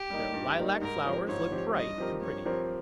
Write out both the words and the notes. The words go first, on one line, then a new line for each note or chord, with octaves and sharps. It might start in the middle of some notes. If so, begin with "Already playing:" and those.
Their lilac flowers look bright and pretty.
Already playing: G4
G3 A#3 D#4
G2
G3 A#3 D#4
G#2 A#4
F3 C4 G4
G#2 C#5
F3 C4 G4
G2 D#5
F3 C4 G4 A#4
G2 C#5
F3 C4 G4 A#4